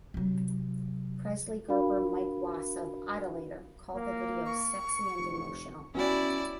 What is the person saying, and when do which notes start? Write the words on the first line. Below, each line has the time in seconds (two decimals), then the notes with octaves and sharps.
Presley Gerber Mike Wass of "Idolator" called the video "sexy and emotional".
0.14 C3 F#3
1.69 D4 F#4 A#4 F5 B5
3.95 A#3
4.46 C#6
5.18 F1
5.95 B3 C#4 E4 F#4 G4 D5